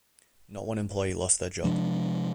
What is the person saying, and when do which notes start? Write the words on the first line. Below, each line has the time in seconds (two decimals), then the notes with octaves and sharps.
Not one employee lost their job.
1.64 C3 F3 G#3 D4